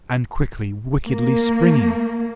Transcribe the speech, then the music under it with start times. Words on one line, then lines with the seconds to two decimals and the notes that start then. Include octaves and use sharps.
And quickly, wickedly springing!
1.06 A#3